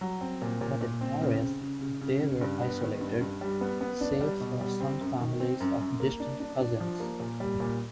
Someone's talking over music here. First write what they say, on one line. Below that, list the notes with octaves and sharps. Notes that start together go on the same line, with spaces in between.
But in Paris they were isolated, save for some families of distant cousins.
F#3
C4
A#2
A#2
A#2
C4
C#3
C#3
C#3
C#3
C#3
C#3
G2
B3
D#3
G2
G2
G3
B3
B3
D4
G3
B2
G3
C4
F#2
D#3
C4
F#2
F#2
A#3
D4
D4
D4
F3
A#3
A#2
G3
A#2